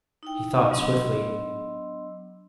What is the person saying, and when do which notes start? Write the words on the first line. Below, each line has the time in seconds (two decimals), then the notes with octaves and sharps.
He thought swiftly.
0.23 D#4 E4 G5
0.71 F#3 B3 D4 D#5 C6 E6